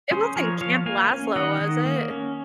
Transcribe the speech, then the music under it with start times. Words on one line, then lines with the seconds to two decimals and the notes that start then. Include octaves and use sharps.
It wasn't Camp Laszlo, was it?
0.11 C#4 G#4 C5
0.36 F3 A#4 C#5
0.61 F3 C#5 F5
0.86 A#3 F5 G#5
1.10 C#4
1.36 D#3 D#5 F#5
1.61 D#3
1.86 A#3
2.11 C#4